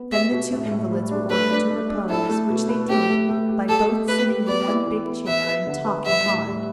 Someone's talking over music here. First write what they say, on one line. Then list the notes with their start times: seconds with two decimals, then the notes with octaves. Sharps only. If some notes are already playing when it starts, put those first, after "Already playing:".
Then the two invalids were ordered to repose, which they did, by both sitting in one big chair and talking hard.
Already playing: B3
0.12 G4 E5
0.32 B2
0.52 A2
0.71 A2
0.91 G3
1.11 D4
1.30 A3 B4
1.51 D4
1.71 D4
1.89 D4
2.10 E4 A4
2.29 A3
2.50 B2
2.69 B4
2.89 A3 G4
3.09 A3
3.29 A3
3.49 G4
3.68 G4 A4
3.88 A3
4.07 A3 B4
4.28 G4
4.47 B3 D5
4.68 E4
4.87 E3
5.07 B3
5.26 B4 E5
5.46 B4
5.67 D3
5.85 B4
6.06 G3 E5
6.26 A2
6.46 G3